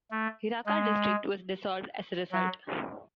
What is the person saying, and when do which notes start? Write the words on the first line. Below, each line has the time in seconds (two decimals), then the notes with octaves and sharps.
Hiraka District was dissolved as a result.
0.11 A3
0.66 G#3
2.32 F#3